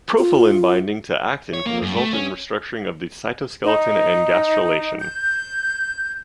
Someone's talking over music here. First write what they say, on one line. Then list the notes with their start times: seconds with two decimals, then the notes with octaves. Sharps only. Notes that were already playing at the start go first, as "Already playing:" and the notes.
Profilin binding to actin can result in restructuring of the cytoskeleton and gastrulation.
0.18 F4
1.54 C#5
1.66 A#3
1.82 F#2
1.96 A3
2.13 C#4
3.64 D#4
5.00 G6